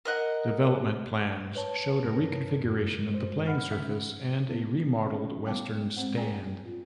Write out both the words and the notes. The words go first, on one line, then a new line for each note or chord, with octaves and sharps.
Development plans showed a reconfiguration of the playing surface and a remodelled western stand.
A#4 D#5 F#5
B4 C#5 A5
G2 A#4
F#2
G#3 C5
F#5 B5 F6
C#3 C#4 E5
B3 E4
C#4
G3 B3 G5 A5 D6
G#3 C4 C5 F#5
G#4 G5 G#5 A#5
F4